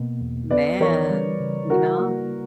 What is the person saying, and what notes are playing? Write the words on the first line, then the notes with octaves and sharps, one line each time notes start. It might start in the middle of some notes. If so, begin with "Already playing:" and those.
Man, you know,
Already playing: B2 A#3
E2
B3 B4 D5
E3 A#4 C#5
G3
C#3
E4 F#4 A#4
A#3